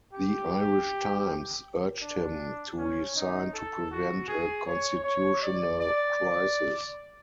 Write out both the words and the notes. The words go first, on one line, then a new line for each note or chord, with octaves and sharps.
"The Irish Times" urged him to resign to prevent a constitutional crisis.
G4
D4
C#4
D#4
A4
F#4
G#4
C#5
C#5
D5
D5